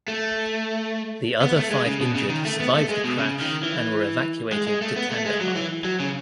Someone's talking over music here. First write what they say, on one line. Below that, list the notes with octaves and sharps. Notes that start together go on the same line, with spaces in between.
The other five injured survived the crash and were evacuated to Kandahar.
A3
B3
A3
G#3
C#3
B2
C#3
D#3
A3
B3
A3
G#3
B2
C#3
D#3
E3
G#3
G#3
A3
B3
A3
G#3
F#3
E3
F#3
C#3